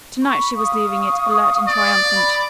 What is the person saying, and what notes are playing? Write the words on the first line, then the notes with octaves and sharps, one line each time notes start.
To-night she was leaving it alert and triumphant.
B5 C#6
F5 C#6 D#6
D5
B5